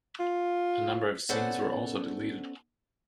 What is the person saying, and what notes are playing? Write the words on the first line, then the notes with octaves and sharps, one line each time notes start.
A number of scenes were also deleted.
F4
B3 C#4 A4 C5 D5 F#5